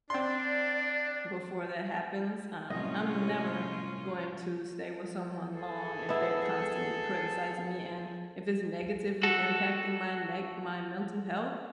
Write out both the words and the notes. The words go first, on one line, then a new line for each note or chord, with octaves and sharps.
before that happens, um, I'm never going to stay with someone long if they're constantly criticizing me and if it's negatively impacting my ne my mental health,
C4 D4 D5 C6
C2 F#2 A2 C#4 F4 D#5
G#4 A4
B3 E4
F#4 A4